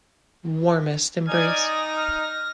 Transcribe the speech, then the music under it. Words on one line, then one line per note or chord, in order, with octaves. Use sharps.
Warmest embrace.
D#4 D5 G#5 F6 G#6
D#6 A#6
F6